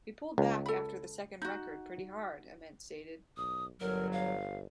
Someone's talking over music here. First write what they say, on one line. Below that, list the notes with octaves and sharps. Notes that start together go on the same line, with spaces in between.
"We pulled back after the second record pretty hard," Ament stated.
C#2
A4 B5
D#4 F#4
B1 D#6
G1 F#3 A#4
F5